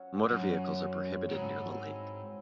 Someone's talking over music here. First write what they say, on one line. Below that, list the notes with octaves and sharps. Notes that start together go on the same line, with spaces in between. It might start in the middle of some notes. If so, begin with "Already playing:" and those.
Motor vehicles are prohibited near the lake.
Already playing: F#3 C#4 F#4
F#2 F#3 C#4 F#4
F#3 C#4 F#4
G#2 F#3 C4 E4
F#3 C4 E4